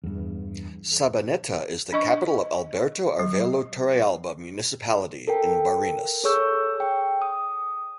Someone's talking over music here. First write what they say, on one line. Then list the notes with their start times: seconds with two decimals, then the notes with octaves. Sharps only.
Sabaneta is the capital of Alberto Arvelo Torrealba Municipality in Barinas.
0.03 E2 G2
1.93 D4 D#5 C#6
3.19 F#3
5.27 A4 A#4 G5
6.24 G#4 A4 C#5 C#6 E6 G6
6.80 G5
7.22 D#6